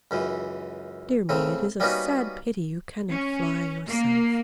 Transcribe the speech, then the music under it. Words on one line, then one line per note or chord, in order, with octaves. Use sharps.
Dear me! it is a sad pity you cannot fly yourself.
C#2 F#2 E3
A2 C#3 C4
G3 A#3 B3 C#4 D#4 F#4
C#4
A#3